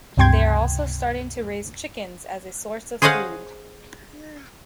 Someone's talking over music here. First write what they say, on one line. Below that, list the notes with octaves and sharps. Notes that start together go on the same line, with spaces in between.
They are also starting to raise chickens as a source of food.
C#2 G2 C3 G5 C6 G#6
G#4 C5 C#5 D#5 F5 F#5